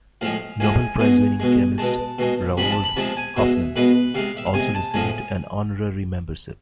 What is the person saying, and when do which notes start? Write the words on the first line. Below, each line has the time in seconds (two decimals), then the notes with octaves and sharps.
Nobel Prize-winning chemist Roald Hoffman also received an honorary membership.
0.21 A2 F3 G#3 F5
0.60 A2 F3 G#3 G#5
0.99 B2 G#3 G#5
1.40 B2 G#3
1.78 B2 G#3 A5
2.18 B2 G#3
2.57 C3 F3 G#3 B5
2.71 A5
2.84 B5
2.96 C3 F3 G#3 A5
3.17 G#5
3.37 B2 G#3 E5
3.76 B2 G#3 B4
4.15 C3 G#3 F5
4.37 E5
4.46 F5
4.54 C3 G#3 G#5
4.75 A5
4.94 A2 F3 G#3 G#5